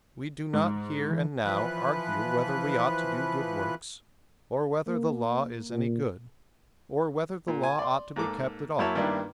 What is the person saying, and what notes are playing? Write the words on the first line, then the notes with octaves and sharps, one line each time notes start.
We do not here and now argue whether we ought to do good works, or whether the Law is any good, or whether the Law ought to be kept at all.
G#2
E3
E3 F3 B4 F#6
A#3
A#2
A#2
G#5
D5 C6
G#2 A#3 A4 D6
F#2 A#3 E4 C#5 E5 A5
G2 D#3 A#3 D4 E4